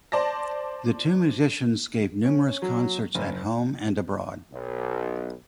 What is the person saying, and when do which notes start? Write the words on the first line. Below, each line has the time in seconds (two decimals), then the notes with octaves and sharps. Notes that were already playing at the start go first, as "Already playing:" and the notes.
The two musicians give numerous concerts at home and abroad.
0.12 C5 D5 A5 A#6
2.25 C#4
2.62 F#3
3.15 F#1
4.53 B1